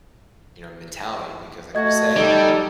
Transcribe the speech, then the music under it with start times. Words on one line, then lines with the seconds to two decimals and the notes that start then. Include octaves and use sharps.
you know, mentality because like you said,
1.75 A3 F#4 D#5 G#6
2.16 G3 D#4 A4